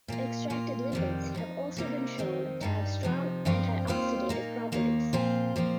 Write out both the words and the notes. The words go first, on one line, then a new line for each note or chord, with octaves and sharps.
Extracted lipids have also been shown to have strong antioxidative properties.
A#2 A#3 F4
A#2 A#3 F4
F2 C3 D#3 G3 C4
F2 F3 D#4
C3 G3 A#3 D#4
F2 D#3 C4 D#4
G2 G3 D#4
C3 F3 D#4
G2 F3 C4 F4
D#2 D#3 C4 F4
A#2 A#3 D#4
D#2 D#3 A#3 D#4
A#2 F3 C4 F4
A#2 F3 C4 F4